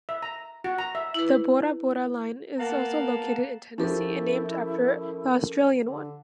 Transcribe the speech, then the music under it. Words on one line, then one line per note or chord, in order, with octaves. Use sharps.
A Burra Burra mine is located in Tennessee and named after the Australian one.
E5
A#5
F#4
A#5
E5
E4 B4
A#3 B3 F5 F#5 A5
F3 C#4 E4 G4 A4 A#4
D3